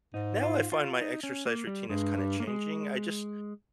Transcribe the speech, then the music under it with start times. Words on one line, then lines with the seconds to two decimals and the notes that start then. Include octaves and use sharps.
now I find my exercise routine is kinda changing, I just
0.14 G#2 D#4
0.43 F4
0.72 F4
1.01 D#4
1.23 C#4
1.46 A#3
1.67 G3
1.89 G2 G#3
2.18 G3
2.40 A#3
2.47 G#3